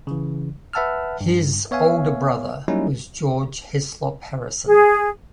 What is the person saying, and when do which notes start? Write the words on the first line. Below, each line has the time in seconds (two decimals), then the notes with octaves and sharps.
His older brother was George Heslop-Harrison.
0.07 C#3 E3
0.73 B4 E5 F#5 A5 E6 F6
1.21 G2
1.71 B3 C#5 E5 F5 G#5
2.68 F#3 G3 A#3 C#4 D#4 E4
4.67 G#4